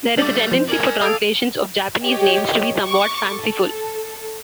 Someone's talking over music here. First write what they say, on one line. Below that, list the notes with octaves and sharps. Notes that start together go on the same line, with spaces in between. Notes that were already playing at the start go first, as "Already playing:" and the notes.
There is a tendency for translations of Japanese names to be somewhat fanciful.
G3 A3 D4 D5
F3 C4 C5
A#4 D5 G#5
A4 D#5 F5 G#5 D6
G4 C#5 D#5
C#6 D6
A4